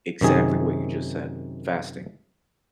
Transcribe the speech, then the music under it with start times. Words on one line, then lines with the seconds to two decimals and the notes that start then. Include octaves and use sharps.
Exactly what you just said: fasting.
0.21 F#2 C3 D#3 G#4